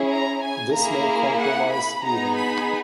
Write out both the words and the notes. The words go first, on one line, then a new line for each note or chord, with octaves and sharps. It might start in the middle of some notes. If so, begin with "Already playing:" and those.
This may compromise healing.
Already playing: C#4 E4 G#4
A#5
G#5
A#3 E4 G#4 A#5
F#5
B5
B3 D#4 G#4 A#5
B5